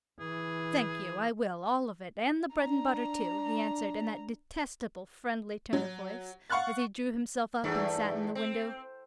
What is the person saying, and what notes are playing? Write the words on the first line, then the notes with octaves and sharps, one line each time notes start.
"Thank you, I will, all of it, and the bread and butter, too," he answered, in that detestable friendly tone of voice, as he drew himself up and sat in the window.
E3 G#4
D4 A#5
F#3
F5 F#5 C#6 F6 F#6 A6
E2 G2 A3
C4